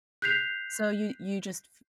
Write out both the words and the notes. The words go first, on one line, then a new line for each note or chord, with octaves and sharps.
So you you just f
F#6 G6 B6 C7 F7